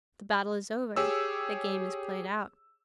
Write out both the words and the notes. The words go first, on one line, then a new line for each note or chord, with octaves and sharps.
"The battle is over--the game is played out."
G4 G#4 C#5 E6